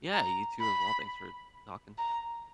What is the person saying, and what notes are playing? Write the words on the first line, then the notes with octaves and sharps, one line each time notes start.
Yeah, you too as well, thanks for talking.
A#5
B5
A#5